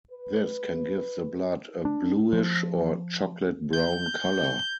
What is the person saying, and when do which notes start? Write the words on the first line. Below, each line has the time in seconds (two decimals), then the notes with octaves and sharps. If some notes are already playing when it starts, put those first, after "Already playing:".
This can give the blood a bluish or chocolate-brown color.
0.11 B4
1.85 D4
2.33 F3
3.73 G6